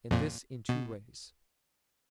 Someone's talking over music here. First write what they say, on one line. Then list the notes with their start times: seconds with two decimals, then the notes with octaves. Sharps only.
And this in two ways.
0.11 F2 A#2
0.69 B2